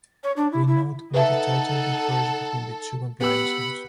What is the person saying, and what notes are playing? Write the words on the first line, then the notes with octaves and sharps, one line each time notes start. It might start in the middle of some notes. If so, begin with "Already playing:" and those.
We note where the title differs between the two compilations.
C#5
D4
E4
E4
D#4 A4 B4 E5 F#5 A5
B3 G4 F#5 B5 E6